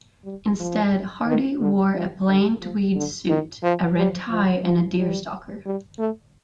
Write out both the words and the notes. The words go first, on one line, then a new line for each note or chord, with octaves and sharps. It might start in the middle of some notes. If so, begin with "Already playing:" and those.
Instead, Hardie wore a plain tweed suit, a red tie and a deerstalker.
G3
F3
D#3
D3
F3
D3
F3
D3
D#3
F3
G3
F3
F3
G3
G3
A3